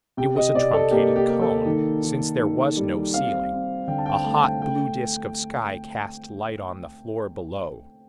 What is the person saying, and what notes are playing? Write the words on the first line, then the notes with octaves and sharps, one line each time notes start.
It was a truncated cone, since there was no ceiling; a hot blue disk of sky cast light on the floor below.
C3 G5
D#5
C3 D5
A4
A#3 G4
G4
A#3
A4
D#3
D#3
D#3
G3
C4 F5
C4
D3 G5
A5
G5
A3 A5
G5
A3 G5